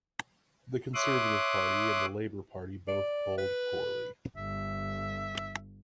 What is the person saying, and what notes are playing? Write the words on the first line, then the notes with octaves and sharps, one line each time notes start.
The Conservative Party and the Labour Party both polled poorly.
C#5 E5 C6 D6 D#6 F#6
D5
B4
G1 E5